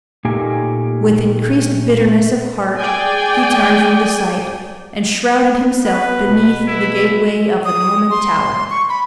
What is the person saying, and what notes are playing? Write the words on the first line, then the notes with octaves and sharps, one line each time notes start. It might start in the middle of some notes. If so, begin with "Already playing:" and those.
With increased bitterness of heart, he turned from the sight, and shrouded himself beneath the gateway of the Norman Tower.
A#2 A3 A#3 D#4 G4 G#5
G#4 D5 G5 G#5
B3 B4
B2
E4
D#6
C6
C#6
B5